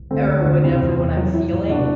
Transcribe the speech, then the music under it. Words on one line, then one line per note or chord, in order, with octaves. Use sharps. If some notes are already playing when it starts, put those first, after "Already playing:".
or whatever when I'm feeling.
Already playing: C2
D3 A3 C4
D2
D4 F#4
D2
C3 C4 E4
E2
E2
F#3
E4
A2
C3 D4 F#4